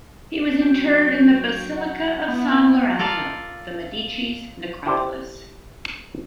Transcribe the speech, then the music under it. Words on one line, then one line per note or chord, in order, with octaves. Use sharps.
He was interred in the Basilica of San Lorenzo, the Medici's necropolis.
F#3 D4 F#4 G5
F#5
B3 E4
F4 A4 A#4 D5 F5
E4 G4 A4 C5 D5